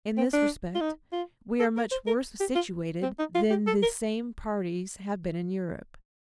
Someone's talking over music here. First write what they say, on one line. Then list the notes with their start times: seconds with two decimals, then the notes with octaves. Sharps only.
In this respect we are much worse situated than the same parties have been in Europe.
0.17 C4
0.33 D4
0.75 F4
0.81 D#4
1.12 F4
1.60 A4
1.77 A#4
1.91 C5
2.07 A#4
2.40 G4
2.55 F4
3.02 C4
3.19 D#4
3.35 F4
3.50 G4
3.67 A4
3.82 A#4